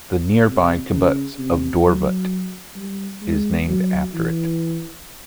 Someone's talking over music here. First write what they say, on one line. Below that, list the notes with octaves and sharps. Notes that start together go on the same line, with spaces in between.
The nearby kibbutz of Dovrat is named after it.
C3
C#3
C3
F#3
G3
G#3
F#3
E3